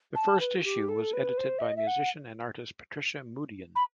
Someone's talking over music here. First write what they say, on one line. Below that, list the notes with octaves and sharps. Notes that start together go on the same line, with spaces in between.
The first issue was edited by musician and artist Patricia Moodian.
A5
B4
F#4
G4
A4
B4
C5
E5
D#5
E5
F#5
B5